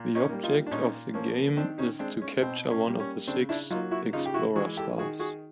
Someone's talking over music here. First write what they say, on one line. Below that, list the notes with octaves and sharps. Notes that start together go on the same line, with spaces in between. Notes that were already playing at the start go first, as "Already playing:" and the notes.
The object of the game is to capture one of the six explorer stars.
Already playing: A#2
C#4 D#4
G3 A#3
D#4 F4
D4
A#2 C#4 D#4
F3 A#3 C#4
D#3 C4 D4
C#4 D#4
G#3 C4 D4
C#4
B2 C4
C#4
G3 A#3
C#4
C#3 C4 D4
D4 E4
F#3 A#3 D#4 F4
E4 F#4
C#3 D#4 F4
G4
E4 F#4
E3 G#3 F#4 G#4
G4 A4
D#3 F#4 G#4
F#4 G#4